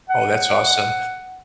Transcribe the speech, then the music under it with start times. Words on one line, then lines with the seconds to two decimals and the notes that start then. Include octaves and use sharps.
Oh, that's awesome.
0.10 F#5